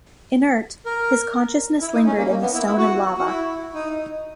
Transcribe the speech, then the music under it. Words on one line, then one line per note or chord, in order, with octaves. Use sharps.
Inert, his consciousness lingered in the stone and lava.
A#4
E4
D#4
C#4
A#3
A#3
B3
E4
E4
F#4
F#4
E4
D#4